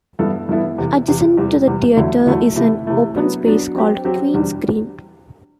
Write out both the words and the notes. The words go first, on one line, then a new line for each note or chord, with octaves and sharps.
Adjacent to the theatre is an open space called Queen's Green.
G2 E3 B3 E4 A4
G2 E3 B3 E4 A4
E2 C3 E3
E2 C3 E3
E2 C3 E3 G3
E2 C3 E3 G3
E2 D3 F#3 A3 E4
E2 D3 F#3 A3 E4
C3 E3 A3 E4
C3 E3 A3 E4
F#3 B3 D4
F#3 B3 D4
F#3 C4 G4
F#3 C4 G4
E2 B2 G3 D4